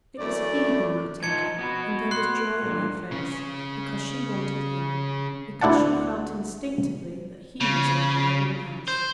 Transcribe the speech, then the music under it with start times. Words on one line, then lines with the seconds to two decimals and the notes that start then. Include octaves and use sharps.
It was he who mattered and there was joy on her face because she wanted him because she felt instinctively that he was like no-one else.
0.19 F#2 E3 A3 D5
1.23 F3 D#4 G#6 C#7
1.59 B3 F#4 B4
2.11 C6 F#6 C7
2.62 G2 A#2
3.12 C#3 C#4
5.61 D2 E4 D5 F#5 A5
7.60 C#3
8.88 C5